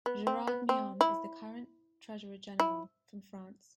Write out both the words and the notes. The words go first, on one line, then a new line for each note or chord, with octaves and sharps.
Gerard Myon is the current Treasurer General, from France.
B3
C4
B3
C4
E4
E4